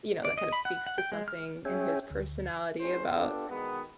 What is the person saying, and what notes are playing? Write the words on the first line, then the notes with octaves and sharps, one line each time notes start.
you know, that kind of speaks to something in his personality about
D5
D#5
B5
F#5
F#5
G5
G#3
F6
C#4 G#4 C#5 E5 G5 G#5
D2
A1 E2 A2 E3 C#4 C5
B3 D4 F4 G4 A4
B2 D#3 G#3 B3